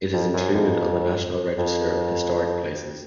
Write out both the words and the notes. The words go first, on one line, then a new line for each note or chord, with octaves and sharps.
It is included on the National Register of Historic Places.
F2
F#2
F2
F2